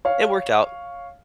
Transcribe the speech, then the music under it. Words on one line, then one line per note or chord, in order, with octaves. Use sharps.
it worked out.
C#5 F5